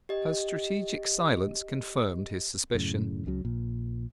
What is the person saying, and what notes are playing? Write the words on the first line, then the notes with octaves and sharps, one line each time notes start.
Her strategic silence confirmed his suspicion.
G4 D#5
F#2 A2 C#3
C#2 C#3 F#3
A#1 A#2